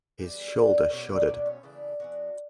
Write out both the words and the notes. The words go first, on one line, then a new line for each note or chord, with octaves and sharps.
His shoulder shuddered.
E3 G3 B3
D3 F#3 B3 D4
B2 G3 B3 C#4 C#5
D4 D5
B2 F#3 A3 D4 D5
C#4 C#5
C#3 E3 A3 D4
E3 B3 D4 F#4